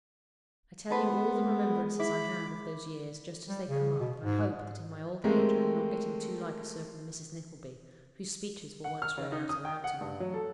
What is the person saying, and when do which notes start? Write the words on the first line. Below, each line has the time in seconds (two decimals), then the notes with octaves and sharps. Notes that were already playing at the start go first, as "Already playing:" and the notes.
I tell you all the remembrances I have of those years just as they come up, and I hope that, in my old age, I am not getting too like a certain Mrs. Nickleby, whose speeches were once read out aloud to me.
0.90 G#3 B3 A4 B4 C5
1.99 E4 B5 D6
3.48 G3
3.69 C#3
3.99 B2
4.20 G#2
5.24 G#3 A3 C4 G4 A#4
8.84 F#5
9.02 F6
9.18 C#3
9.32 D#4
9.49 D#6
9.65 G5
9.84 F#5
10.01 G2
10.20 F#3
10.34 A4